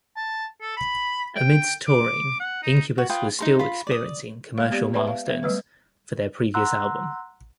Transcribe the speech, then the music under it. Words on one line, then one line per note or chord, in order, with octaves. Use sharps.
Amidst touring, Incubus was still experiencing commercial milestones for their previous album.
A5
A4
B5
G5
D6
F#5
D#4
F#4
F4 B4 G5 D#6
D#4 A#4 C6
F4 B5
D5 D#6
G#3 A#3 F5
B3 G4 D5
B4 D5 E5 G5 A5
F5
B3 E5
F#3 G3 A3 B4
F#5 A#5 C6 E6 F#6